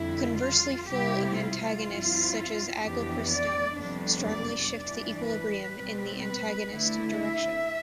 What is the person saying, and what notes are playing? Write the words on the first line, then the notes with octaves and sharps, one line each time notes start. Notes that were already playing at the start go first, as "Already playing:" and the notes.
Conversely full antagonists such as aglepristone strongly shift the equilibrium in the antagonist direction.
Already playing: F2 D3 G3 E4
F4
C3 G3 C4 E4 G4
F4
G2 F3 C4 E4
F2 E3 B3 D4 G4
D5
F2 C3 G3 B3 D4
D5
G2 E3 G3 D4 D5
B4
B2 G3 C4
B4
D3 A3 E4
E5